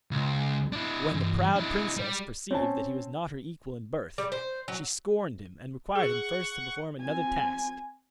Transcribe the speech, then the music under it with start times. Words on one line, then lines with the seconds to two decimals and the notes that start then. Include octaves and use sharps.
But when the proud princess perceived that he was not her equal in birth, she scorned him, and required him first to perform another task.
0.11 C#2
0.72 D4 E4
1.12 G2 E3
1.56 D4 E4
1.97 G3
2.51 C4 C#4 C#5 A5
4.18 G3
4.32 C5
4.68 F#3
5.96 G#4 F#5 C#6
7.01 C4 G#5